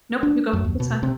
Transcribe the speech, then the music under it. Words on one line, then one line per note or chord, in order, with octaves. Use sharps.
Nope, you go. That's fine.
D4
F#2
D#2
B2
C3